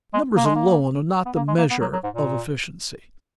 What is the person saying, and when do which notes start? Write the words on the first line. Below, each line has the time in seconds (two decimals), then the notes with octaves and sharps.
Numbers alone are not the measure of efficiency.
0.14 G#3
0.36 A#3
0.45 G#3
0.55 A#3
1.26 B3
1.36 A#3
1.48 G#3
1.58 A#3
1.70 B3
1.81 F#3
1.93 F#3
2.04 G#2
2.14 A#2